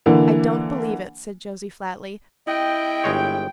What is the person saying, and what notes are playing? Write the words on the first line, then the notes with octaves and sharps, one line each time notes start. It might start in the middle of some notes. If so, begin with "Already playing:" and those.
"I don't believe it," said Josie flatly.
D3 E3 A#3
E4 D#5 G5
G1 G#3 C#5